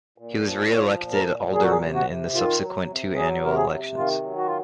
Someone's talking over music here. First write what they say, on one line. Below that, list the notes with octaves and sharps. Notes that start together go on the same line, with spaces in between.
He was re-elected alderman in the subsequent two annual elections.
A#2
F3
F3 C#5
A#2
A#4
A#2
F#3 G#4
F#4
G#4
C3
F#4
C3
D#3 F4
F#3
C3
F#3 G#4
C3 A#4
G#4
C3
D#3 F4
F#3
F#4
F4